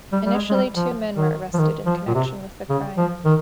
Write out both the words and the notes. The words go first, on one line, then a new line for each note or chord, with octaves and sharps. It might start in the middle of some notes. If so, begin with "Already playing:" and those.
Initially, two men were arrested in connection with the crime.
G3
G3
G#3
G#3
G3
F3
D#3
F3
D#3
F3
A#2
C3
C#3
F3
D#3